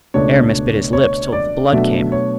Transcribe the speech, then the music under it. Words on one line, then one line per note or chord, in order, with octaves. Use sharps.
Aramis bit his lips till the blood came.
C#2 B2 A3 D4 C#5
C#5
D5
B2 F#3 A3 D4 E5
C#5